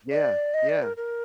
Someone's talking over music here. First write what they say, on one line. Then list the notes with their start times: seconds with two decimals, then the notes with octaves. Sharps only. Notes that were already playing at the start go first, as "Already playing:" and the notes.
Yeah, yeah,
0.11 D5
0.54 D#5
0.69 D5
0.82 A#4
0.97 A#4